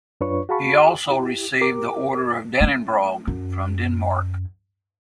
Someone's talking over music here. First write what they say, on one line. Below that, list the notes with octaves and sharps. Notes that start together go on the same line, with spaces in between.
He also received the Order of Dannebrog from Denmark.
F#2 D4 F4 B4 C#5 C#6
F#4 G#4 F5 A5 B5 C#6
E4 G4
G4 A#4 D6
A3 C#4
F#2